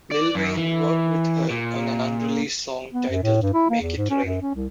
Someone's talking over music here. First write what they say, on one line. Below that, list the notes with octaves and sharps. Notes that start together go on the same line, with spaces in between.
Lil Wayne worked with her on an unreleased song titled "Make It Rain".
D5
F#2
E3
A#2
B3
F#2
A2
G2
E4
A#3
E2
G#2
C#4
F#2
C#4
C2